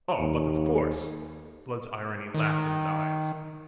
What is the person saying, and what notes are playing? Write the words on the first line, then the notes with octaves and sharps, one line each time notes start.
"Oh, but of course!" Blood's irony laughed in his eyes.
D#2
D#3